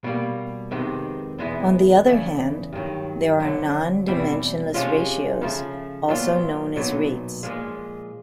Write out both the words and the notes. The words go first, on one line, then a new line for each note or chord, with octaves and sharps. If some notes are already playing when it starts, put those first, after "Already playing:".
On the other hand, there are non-dimensionless ratios, also known as rates.
B2 G3 A#3
F2 C3 D#3 G#3 B3
E2 B2 G#3 B3 E4
E2 C#3 E3 A3
G2 D#3 F#3
F2 D3 F#3
E2 B2 G3 C4 E4
C3 F3 G#3 C#4 F4
C#3 F3 A3
A#2 F#3 B3 D4 F4
B1 A#2 F#3 B3 D#4
A#2 F3 G#3